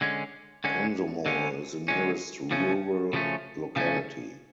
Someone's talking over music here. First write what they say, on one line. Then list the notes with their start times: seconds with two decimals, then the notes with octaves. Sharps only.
Komsomol is the nearest rural locality.
0.01 D3 G#3 C#4
0.64 D3 G#3 C#4
1.26 D3 G#3 C#4
1.88 D3 G#3 C#4
2.51 C#3 F3 A3 C#4
3.13 C#3 F3 A3 C#4
3.76 C#3 F3 A3 C#4